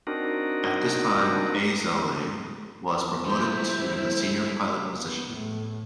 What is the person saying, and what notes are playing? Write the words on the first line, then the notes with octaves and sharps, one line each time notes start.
At this time, Eisele was promoted to the Senior Pilot position.
C4 D4 D#4 F#4 A#4
G3 A3 E4 C5
B3
A2